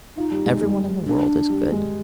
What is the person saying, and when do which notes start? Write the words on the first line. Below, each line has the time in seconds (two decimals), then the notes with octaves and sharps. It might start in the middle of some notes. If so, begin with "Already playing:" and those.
Every one in the world is good.
0.17 D#4 F4
0.31 G3
0.46 G#3
0.61 G#3
1.06 D4
1.50 G3
1.72 G#3